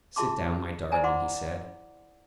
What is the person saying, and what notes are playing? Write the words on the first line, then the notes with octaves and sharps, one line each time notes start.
"Sit down, my darling," he said.
F4 G#4 E5 A5 C6 D6
C5 D5 E5 G#5 A#5
E4 F#5 B5 C6 D6